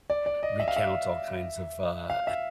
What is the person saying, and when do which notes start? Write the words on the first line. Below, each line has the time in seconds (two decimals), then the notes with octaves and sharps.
recount all kinds of, uh,
0.10 D5
0.26 D5
0.43 D#5
0.60 E5
0.68 F5
0.76 E5
2.10 F5
2.27 E5